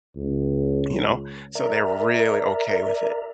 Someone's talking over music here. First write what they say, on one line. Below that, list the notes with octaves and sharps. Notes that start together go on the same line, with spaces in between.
you know? So they're really okay with it;
C#2
A#4 D5 E5 A#5